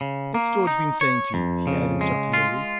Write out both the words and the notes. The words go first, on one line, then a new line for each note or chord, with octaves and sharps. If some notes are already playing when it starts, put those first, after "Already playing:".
What's George been saying to you?' he added jocularly.
C#3
A#3
D#4
C#5
F2
C#3
G#3
F4